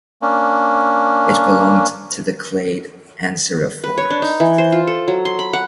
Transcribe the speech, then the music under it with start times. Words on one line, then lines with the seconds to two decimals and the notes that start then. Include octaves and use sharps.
It belonged to the clade Anseriformes.
0.22 A#3 C#4 D4
3.84 B4
3.98 C#5
4.10 D4
4.22 D#4
4.40 E3
4.58 C5
4.72 F4
4.87 A4
5.08 F#3
5.25 C6
5.39 B5
5.53 F#5